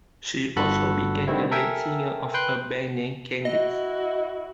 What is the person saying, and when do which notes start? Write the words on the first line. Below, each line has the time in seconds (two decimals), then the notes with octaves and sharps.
She also became the lead singer of a band named Kendix.
0.56 G1 G2 F#4 A4 B5 F#6
1.27 D3 D#3 G3 A3 C4 E4
1.51 A4 A#4 E5 G5 G#5
2.34 B4 G5 C6 F#6
3.45 E4 F#4 D#5